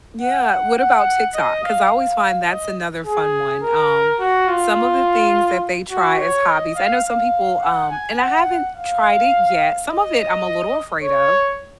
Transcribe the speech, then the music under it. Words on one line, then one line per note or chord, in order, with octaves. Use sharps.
Yeah. What about TikTok? 'Cause I always find that's another fun one, um, some of the things that they try as hobbies I know some people, um and I haven't tried it yet some of it, I'm a little afraid of,
F#5
F#5
F#5
D#5
F5
F5
D#5
G#4
A#4
F#4
F4
F#4
C#5
D#5
F5
F5
F#5
G#5
F#5
F5
D#5
C#5